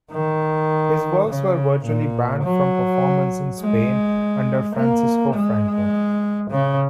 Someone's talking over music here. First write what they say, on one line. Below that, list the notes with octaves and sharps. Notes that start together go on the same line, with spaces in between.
His works were virtually banned from performance in Spain under Francisco Franco.
D#3
C#3
A#2
F#3
G#3
A#3
G#3
C#3